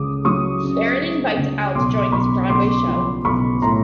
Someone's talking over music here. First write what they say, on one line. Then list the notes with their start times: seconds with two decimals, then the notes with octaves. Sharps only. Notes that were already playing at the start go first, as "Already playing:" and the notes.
Baron invites Al to join his Broadway show.
Already playing: C#2 C#3 D6 D#6
0.25 F#3 C#6 D#6
0.63 C#3
1.00 C#3
1.37 C#2
1.75 B1 C6 D6
2.12 B1 B5 C#6
2.50 B1 C6 D6
2.87 F3
3.25 B1 B5 C#6
3.62 A2 A#5 C6